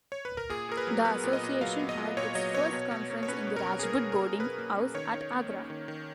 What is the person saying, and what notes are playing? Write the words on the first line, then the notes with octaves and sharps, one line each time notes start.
The association had its first conference in the Rajput Boarding House at Agra.
C#5
B4
A#4
A#2 G#4
A#2 A#4
B4
F#3
B3 B4
A#2
D#5
A#2
F#3 F5
B3
D#5
A#2
A#2 C#5
F#3 D#5
B3 C#5
B2
B2
A#3
C#5
C#4 B4
B2
A#4
B2
G#4
A#3 A#4
C#4
A#4
B2
B2 B4
A#3
C#4
D#3 C#5
D#3
A#3
C#4
D#3
D#3